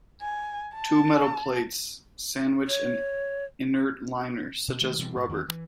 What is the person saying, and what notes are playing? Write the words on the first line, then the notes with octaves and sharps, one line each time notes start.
Two metal plates sandwich an inert liner, such as rubber.
G#5
A5
C#5
B2
D#3 G#3 A3
B2 E3 G3 C4
G#2
E2 D#3 A#3 C4
E3